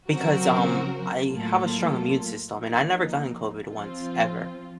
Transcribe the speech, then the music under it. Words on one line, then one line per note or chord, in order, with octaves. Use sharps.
Because, um, I have a strong immune system and I've never gotten COVID once ever.
C#3 F#3 C4 F#4 A#4
A2 F#3 A#3 F4 A4
F3 A#3 D#4
F3 C4 F4